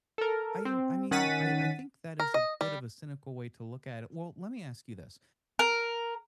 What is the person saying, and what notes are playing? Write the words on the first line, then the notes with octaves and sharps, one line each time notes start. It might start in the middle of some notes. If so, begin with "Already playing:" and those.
I I mean, I I think that is a bit of a cynical way to look at it. Well, let me ask you this.
A4 A#4
C4
D#3 C#4 F#5 A6 B6 D#7
A#4
D#5
G3
A#4